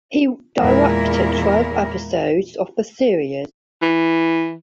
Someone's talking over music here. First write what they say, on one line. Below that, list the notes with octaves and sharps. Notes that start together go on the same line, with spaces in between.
He directed twelve episodes of the series.
E2 A#2 G#3 E4 A#4
E3